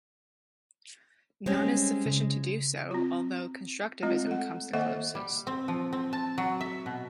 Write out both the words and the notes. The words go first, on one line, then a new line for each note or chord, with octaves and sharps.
None is sufficient to do so, although constructivism comes the closest.
G3 G#3 C4 C#4
C#3
C4 F4
G#3 A3 C4 F4 D#5
A4 F#5
D#3 A#3 A4 D#5 E5 F#5
G3
C4
F3
C4
A5
F#3
E5
B2